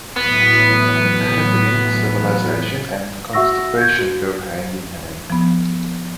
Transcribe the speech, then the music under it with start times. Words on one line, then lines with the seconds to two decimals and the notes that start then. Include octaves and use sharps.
Apparently civilization and constipation go hand in hand.
0.16 A2 E3 F#3 B3
3.33 F#4 E5 F#5 C#6 E6 A#6
3.78 G6 G#6
3.98 F#4
5.30 F3 B3